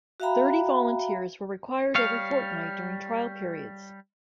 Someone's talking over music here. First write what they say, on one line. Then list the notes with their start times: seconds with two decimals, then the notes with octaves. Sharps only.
Thirty volunteers were required every fortnight during trial periods.
0.20 F#4 E5 F5 G5 A#5 B5
1.95 G3 C#5 F5